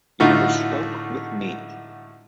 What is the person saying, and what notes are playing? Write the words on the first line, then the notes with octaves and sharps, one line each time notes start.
You never spoke with me.
A2 D3 A3 D#4 F4 F#4